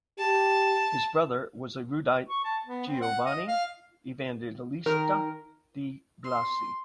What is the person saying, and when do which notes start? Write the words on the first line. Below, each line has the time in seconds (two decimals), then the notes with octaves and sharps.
His brother was the erudite Giovanni Evangelista di Blasi.
0.18 G4 A5
2.28 C#6
2.45 A5
2.65 B3
2.87 C4
3.02 F#5
3.26 D#5
3.48 F5
4.86 D#3 A#4
6.24 C6